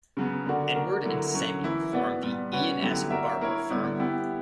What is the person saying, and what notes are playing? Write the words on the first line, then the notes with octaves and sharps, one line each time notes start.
Edward and Samuel formed the "E and S Barbour" firm.
C#3 F#3 B3
D3 A#3 D4 F#4
A#3 D4 F#4 A#4
D3 F#3 A#3 E4
D3 F#3 C#4
E3 A#3 E4
B3 F#4 B4 D5
A#2 G3 B3
G3 C#4 F#4 B4
D3 F#3 B3 E4 G4
A#3 D4 F#4 A#4 E5
A#3 E4 A#4 C#5
D3 G3 B3 E4
B3 E4 G4